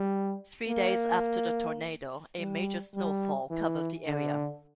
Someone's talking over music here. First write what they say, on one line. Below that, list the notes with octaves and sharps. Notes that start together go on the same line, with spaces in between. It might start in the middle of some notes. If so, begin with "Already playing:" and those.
Three days after the tornado, a major snowfall covered the area.
Already playing: G3
A#3
G3
G3
E3
D3